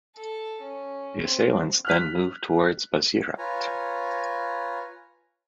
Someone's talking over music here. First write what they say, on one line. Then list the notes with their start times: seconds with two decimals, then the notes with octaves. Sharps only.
The assailants then moved towards Basirhat.
0.16 A4
0.61 C#4
1.20 C4
1.85 F6 F#6 B6
3.38 F4 B4 C#5 G#5 A#5